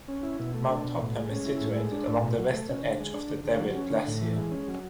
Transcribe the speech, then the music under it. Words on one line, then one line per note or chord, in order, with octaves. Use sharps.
Mount Topham is situated along the western edge of the Deville Glacier.
C#4
E4
B2
A3
D4
B2
A2
G#3
C#4
E4
A2
G#3
D4
A2
B2
F#3
A3
C#4
D3
G#3
D4
D3
D3
F#3
C#4
D3
A2
E3
G#3
C#4
F#3